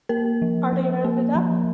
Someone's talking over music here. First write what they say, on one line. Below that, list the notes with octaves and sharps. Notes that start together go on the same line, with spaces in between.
Are they rounded up?
A#3 A#4
F3
F3
A#3
F3